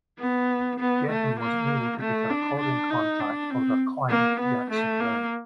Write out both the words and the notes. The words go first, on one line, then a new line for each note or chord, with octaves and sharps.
Geffen was unable to get a recording contract for their client Jackson Browne.
B3
B3
A3
A#3
A3
D4
D4
D#4
D4
C4
A#3
B3
A3
A#3